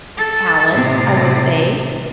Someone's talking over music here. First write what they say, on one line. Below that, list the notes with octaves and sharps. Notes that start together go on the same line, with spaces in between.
talent, I would say,
A4
A2 C3